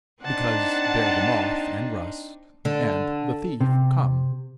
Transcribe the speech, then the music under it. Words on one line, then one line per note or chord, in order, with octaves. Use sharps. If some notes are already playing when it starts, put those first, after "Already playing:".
"Because there the moth and rust and the thief come."
C4 D4 D#4 F#5 A5
D3
C3